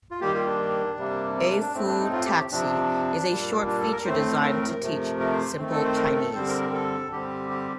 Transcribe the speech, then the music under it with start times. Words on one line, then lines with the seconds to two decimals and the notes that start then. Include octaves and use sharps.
A-Fu taxi is a short feature designed to teach simple Chinese.
0.11 F4
0.21 D#3 G3 A#3 G4
0.34 F4
0.46 D4
0.98 C3 G3 A#3
1.36 C4
1.49 D4
1.61 D4
1.74 A2 A3 C4
1.87 D4
2.00 D#4
2.12 F4
2.25 G4
2.51 C3 F3 C4 D4
3.28 A#2 G3 A#3
3.66 D4
3.79 A4
3.92 A#4
4.05 A2 A3 C4 C5
4.44 A#4
4.62 A#4
4.81 C3 F3 A3
5.20 A#4
5.33 C5
5.58 D#3 A3 C4
5.71 A4
5.84 C5
5.96 A#4
6.16 A4
6.35 D3 G3 C4 C5
6.48 A#4
6.61 A#4
6.74 A4
7.11 D3 G3 C4 G4
7.50 G4